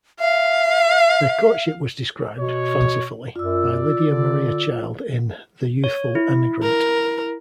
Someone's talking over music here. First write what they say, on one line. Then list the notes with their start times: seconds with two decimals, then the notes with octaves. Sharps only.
Their courtship was described, fancifully, by Lydia Maria Child in The Youthful Emigrant.
0.20 E5 F5
2.39 B2 C#5
3.36 F#2 F4 D5 E6
4.08 D3
5.84 C#5
6.15 E4
6.63 A#4